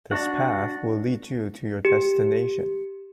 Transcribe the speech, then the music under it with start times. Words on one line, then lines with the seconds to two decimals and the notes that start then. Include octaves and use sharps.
This path will lead you to your destination.
0.11 D4 F#4 F#5
1.85 G4